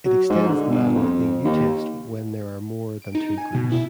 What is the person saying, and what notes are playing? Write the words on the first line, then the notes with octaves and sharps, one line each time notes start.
It extends the Mann-Whitney U test when there are more than two groups.
F#3
G#2
D3
G1
F2
D#2
D7
D#4
G#5
B2
E4